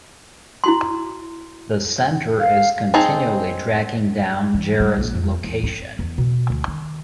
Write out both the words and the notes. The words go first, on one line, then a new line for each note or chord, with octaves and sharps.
The Centre is continually tracking down Jarod's location.
E4 F#4 C6
F5
C4 D#4 G#4 D#5 A5
E3
G3
A#1
F2
E2
C4
E2
B2
D2
D#3